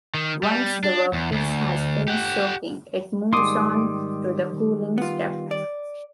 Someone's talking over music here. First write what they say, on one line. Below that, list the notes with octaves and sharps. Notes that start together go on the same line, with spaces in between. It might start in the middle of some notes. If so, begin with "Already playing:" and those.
Once the workpiece has finished soaking, it moves on to the cooling step.
D#3
G3
D4
E2
D2
G4 F#5
F2 G#2 D#3 G3 C6 D6 D#6
B3 F4
D5